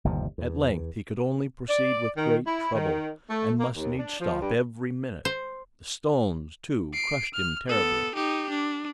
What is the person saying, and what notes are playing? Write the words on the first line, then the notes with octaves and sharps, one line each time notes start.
At length he could only proceed with great trouble and must needs stop every minute; the stones, too, crushed him terribly.
G1 D#2 C3 F3
E2
D5
D#3
E4
D#3
A3
A#3
D#2
D4
F3
G2
C5
C7 D7
F6
B3 A4
D#4 G4
D4